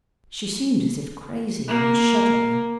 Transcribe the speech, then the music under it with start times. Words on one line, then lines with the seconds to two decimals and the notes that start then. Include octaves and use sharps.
She seemed as if crazy, and was shuddering.
1.68 A#3